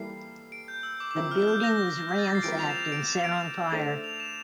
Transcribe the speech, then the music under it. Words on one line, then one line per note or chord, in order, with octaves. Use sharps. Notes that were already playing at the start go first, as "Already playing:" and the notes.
The building was ransacked and set on fire.
Already playing: E3 G3 A#3 E4 A4 C7
D7
G6
E6
D6
D6
F3 C4 E4 A#4 E5 E6
F6
G6
A#6
G6
A6
A#6
C7
E3 G3 C4 F4 A#4 D7
F7
E7
F7
D7
E7
D7
A3 D4 A4 C5 E5
F7
E7